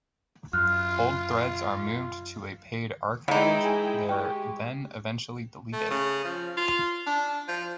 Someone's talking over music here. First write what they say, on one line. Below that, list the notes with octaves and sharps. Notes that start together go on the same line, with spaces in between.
Old threads are moved to a paid archive; they are then eventually deleted.
F#2 F4 F6 F#6
E3 G#3 D#4 E4 G5
G#4 G#5
G#3 G4 G5 C#6
A3
C#3
F3
F4
D4
F3